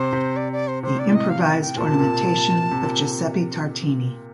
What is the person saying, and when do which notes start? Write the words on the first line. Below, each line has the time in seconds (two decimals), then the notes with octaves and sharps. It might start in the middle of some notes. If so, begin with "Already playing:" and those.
The Improvised Ornamentation of Giuseppe Tartini.
Already playing: C3 C5
0.13 C3
0.36 D5
0.52 D5
0.67 C5
0.83 C3 C5
0.99 D5
1.07 A2
1.15 D#5
1.30 F5
1.41 A5
1.45 G5
1.61 G5
1.77 A#2 A5
1.88 C3
1.99 A#2
2.71 C3
2.81 A#2